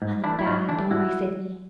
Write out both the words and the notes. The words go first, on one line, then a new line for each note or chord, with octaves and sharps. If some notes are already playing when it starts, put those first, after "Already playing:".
I look bad, don't I, Sidney?'
G#2
E3 A3 D4 E4
E4
G#2 D#4 F4
E3 A3 D4 E4
G#2 E4 F#4